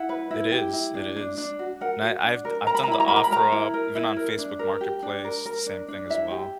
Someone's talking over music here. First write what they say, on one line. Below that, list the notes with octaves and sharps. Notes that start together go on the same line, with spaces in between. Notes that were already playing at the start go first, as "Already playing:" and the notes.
It is. It is. And I I've d I've done the OfferUp, even on Facebook marketplace, same thing as well.
Already playing: E4 F#5
B4
E4
G4
E4
D4
D4
D4
F#4
A#4 F#5
F#4
D4
A#4
A#4 A#5
B5
A#5
E4 B5
A#5
A#4 B5
A#5
B5
A#4 A#5
E4
A#4
E4
A#4
D4
A#4
G4
D4
A#4
A#4
D4
D4
E4 E5
G4